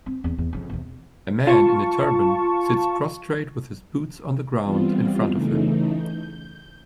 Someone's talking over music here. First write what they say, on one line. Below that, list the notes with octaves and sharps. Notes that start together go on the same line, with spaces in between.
A man in a turban sits prostrate with his boots on the ground in front of him.
C4
E2 C#3
E2
F2 C#3
E2 C3
F4 A5 C#6
E3 G3 B3 C4 F4
C#3 E3 A3 D#4
G6